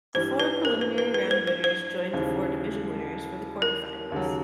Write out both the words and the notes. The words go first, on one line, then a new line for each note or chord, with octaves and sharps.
The four preliminary round winners joined the four division winners for the quarterfinals.
G2 E3 G3 C5
B4
A#4
B4
B4
B4
C5
C5
C5
D#2 C#3 E3
A#4
D#2 C#3 F#3